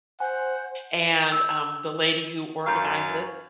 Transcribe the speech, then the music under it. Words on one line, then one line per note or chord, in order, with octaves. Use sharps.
and, um, the lady who organized it
C5 F#5 G#5
E6
F#2 F5 A#5 G6